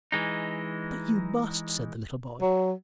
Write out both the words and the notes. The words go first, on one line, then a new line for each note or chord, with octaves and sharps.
"But you must!" said the little boy.
E3 G#3 D#4
F#3